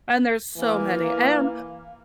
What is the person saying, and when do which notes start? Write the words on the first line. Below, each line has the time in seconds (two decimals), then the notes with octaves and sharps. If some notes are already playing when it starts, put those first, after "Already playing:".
and there's so many, and
0.57 E3 A#3